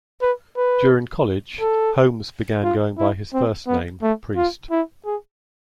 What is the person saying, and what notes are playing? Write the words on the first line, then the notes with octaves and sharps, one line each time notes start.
During college, Holmes began going by his first name, Priest.
B4
B4
A4
F4
E4
C4
B3
A3
F4
E4
G#4